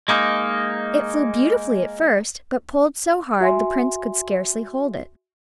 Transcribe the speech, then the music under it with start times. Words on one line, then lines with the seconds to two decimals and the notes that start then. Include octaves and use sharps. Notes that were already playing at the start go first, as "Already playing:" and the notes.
It flew beautifully at first, but pulled so hard the Prince could scarcely hold it.
0.08 G#3 A#3 D#4
3.41 F#4 E5 G#5 C6